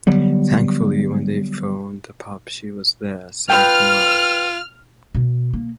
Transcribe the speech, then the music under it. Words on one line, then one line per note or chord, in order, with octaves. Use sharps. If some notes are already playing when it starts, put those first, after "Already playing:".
Thankfully when they phoned the pub she was there safe and well.
D3 F#3 G3 B3
F4 B4 G5 F6
B2
A#3